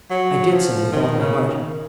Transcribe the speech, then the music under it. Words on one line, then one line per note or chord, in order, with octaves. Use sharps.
I did so with all my heart.
F#3
F3
D#3
C#3
D#3